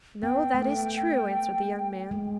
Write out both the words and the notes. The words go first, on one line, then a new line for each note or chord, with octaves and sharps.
'No; that is true,' answered the young man.
B3 G5
A3
G#3